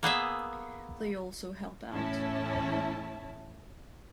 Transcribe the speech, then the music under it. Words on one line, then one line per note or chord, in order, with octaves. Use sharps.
They also help out.
A#3 B3 G#4 E5
E2 A2 C#4 E4 A5